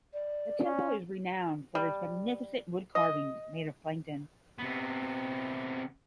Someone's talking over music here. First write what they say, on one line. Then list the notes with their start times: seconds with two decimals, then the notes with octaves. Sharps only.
The temple is renowned for its magnificent wood carvings made of plankton.
0.14 D5
0.65 C#4
1.75 G3
2.95 D#5
4.58 C3 B3